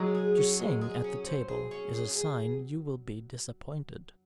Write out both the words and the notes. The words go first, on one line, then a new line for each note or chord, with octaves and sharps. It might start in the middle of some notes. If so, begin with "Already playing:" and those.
To sing at the table is a sign you will be disappointed.
Already playing: F#3 G#3
G#4
C#4
G#3
G#4
C#4
C5
G#4
C#4
G#4
G#4